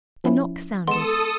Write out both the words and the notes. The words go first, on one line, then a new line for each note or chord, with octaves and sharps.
A knock sounded.
F3 C#4 E4
G#3 B3 A4 C6 D#6 E7